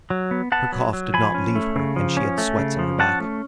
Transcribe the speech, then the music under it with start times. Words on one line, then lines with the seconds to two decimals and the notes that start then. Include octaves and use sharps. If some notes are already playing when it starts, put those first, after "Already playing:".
Her cough did not leave her, and she had sweats on her back.
0.10 F#3
0.31 B3
0.52 B3 F#5 A5
0.72 F#3
0.93 F#3
1.14 F3 G#5 B5
1.34 C#4
1.55 A3
1.76 C#3
1.96 F3
2.17 C#4
2.38 A3
2.58 C#3
2.79 F3
2.99 C#4 F#5 A5
3.20 A3